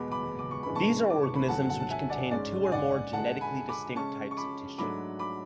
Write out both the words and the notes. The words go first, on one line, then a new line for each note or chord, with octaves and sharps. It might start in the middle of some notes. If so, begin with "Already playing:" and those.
These are organisms which contain two or more genetically distinct types of tissue.
Already playing: E2 B2 G#3 B3 B5 D6
B5 D6
D6
C#6
C#3 E3 G#3 B3 D4 B5
A5 C#6
D6
C#6
B5
E2 D3 F#3 F#5 A5
F#5 A5
A5
E5 G#5
D5 F#5
G#2 G#3 C#4 D5
G#5
D5 F#5
F#2 D3 G#3 F#5 A5
G#5 B5
B5 D6
C#3 G#3 C#4 A5 C#6
C#6
B5 D6
G#2 F#3 A3 D4 B5 D6
B5 D6